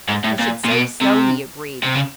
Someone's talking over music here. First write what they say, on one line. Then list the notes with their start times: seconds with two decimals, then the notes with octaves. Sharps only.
"I should say so," he agreed.
0.08 G#2
0.24 A2
0.39 A#2
0.64 A#2
0.70 B2
1.02 C3
1.83 C3
1.95 C#3